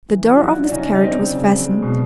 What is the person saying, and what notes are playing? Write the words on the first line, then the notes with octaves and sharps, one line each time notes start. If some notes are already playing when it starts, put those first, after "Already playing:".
The door of this carriage was fastened.
E3
G3
F4
F#3 E4 F#4
F#3
D4
C#3 C#4 D#4
F#3
D#4
F#3 C4 D4
C#3
C#3
F#3
G#3
B2